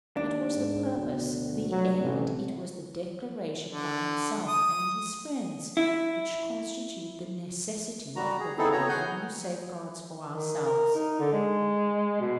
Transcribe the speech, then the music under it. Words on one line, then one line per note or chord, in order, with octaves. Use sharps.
It was the purpose, the end, it was the declaration by himself and his friends, which constitute the necessity of providing new safeguards for ourselves.
D#2 D4
G#2
D2 B2
F1 F#3
A1 C3
D3
D#6
E4
G3 F#4 A#5
G#4
B3 C4 D#4 E4 G#4 A4
B3 F#4 C#5 A#5
G#4 F#5 G#5 G6
D#3
A#4
D#4
D3
G#3
B2